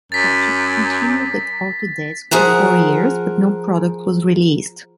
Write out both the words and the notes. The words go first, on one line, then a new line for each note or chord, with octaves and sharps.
The project continued at Autodesk for four years, but no product was released.
F#2 A6 B6
F3 G#4 A#4 F#5